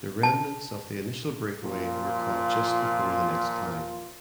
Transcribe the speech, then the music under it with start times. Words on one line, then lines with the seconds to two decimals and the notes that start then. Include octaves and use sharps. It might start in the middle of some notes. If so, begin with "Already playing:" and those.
The remnants of the initial breakaway were caught just before the next climb.
0.23 A5
1.63 A#2 F3 F4